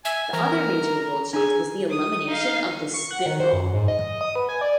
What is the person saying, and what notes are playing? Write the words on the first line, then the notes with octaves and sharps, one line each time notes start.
The other major rule change was the elimination of the spitball.
E5 G#5
E3 A#4 A#5
D4 G#4 G#5
D#6
D#4 F5
C#6
F#5
D#3
C5
F#2
G#2
D#5
D#6
B3
G#5
D5